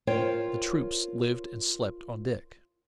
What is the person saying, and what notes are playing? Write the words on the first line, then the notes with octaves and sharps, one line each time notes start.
The troops lived and slept on deck.
F4 A#4 C5 C#5 G5